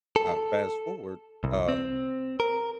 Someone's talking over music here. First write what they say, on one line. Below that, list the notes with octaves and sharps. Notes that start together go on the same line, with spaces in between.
I fast forward, um,
A4
C2
C4
A#4